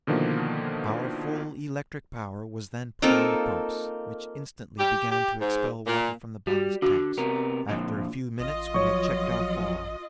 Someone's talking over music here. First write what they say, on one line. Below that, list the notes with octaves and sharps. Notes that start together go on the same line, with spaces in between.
Our full electric power was then put on the pumps, which instantly began to expel water from the ballast tanks. After a few minutes we had checked our fall.
B2 D3 D#3 F3 A#3
A#3 C4 D#4 F4 A4
G4
G4
G#2
A#2
G3 F#4
D3 F#4
C3 B3 A#4
A#2 D3 F3 D#5
A1 F4 D#5
F3 F#3 C#5 C#6